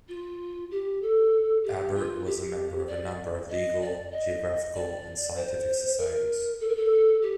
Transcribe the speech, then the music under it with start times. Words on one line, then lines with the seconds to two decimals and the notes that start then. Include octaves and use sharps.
Abert was a member of a number of legal, geographical and scientific societies.
0.09 F4
0.71 G4
1.02 A4
1.64 G4
1.95 F4
2.26 G4
2.88 D5
3.50 D#5
3.81 D5
4.11 D#5
4.74 D5
5.36 C5
5.98 A#4
6.60 A4
6.68 A#4
6.76 A4
7.22 G4